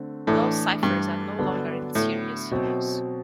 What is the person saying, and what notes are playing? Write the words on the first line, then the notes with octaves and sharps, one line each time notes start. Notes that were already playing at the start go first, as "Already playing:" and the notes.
Null ciphers are no longer in serious use.
Already playing: D3 A3 C4
A2 E3 A3 D4
G2
D3 F#3 B3 D4 A4
A2
B2 F#3 C4